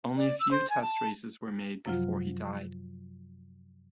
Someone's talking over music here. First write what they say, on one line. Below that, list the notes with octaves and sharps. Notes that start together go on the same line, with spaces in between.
Only a few test races were made before he died.
D5
E6
C5
G#5
A5
F#2 C3 F3 F#3 F4